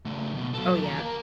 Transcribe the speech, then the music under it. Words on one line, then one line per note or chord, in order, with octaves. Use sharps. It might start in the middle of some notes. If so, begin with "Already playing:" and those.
Oh, yeah.
C#3 A3
C#2 B2
F#3 A4
D#2 A#5
A#4 F5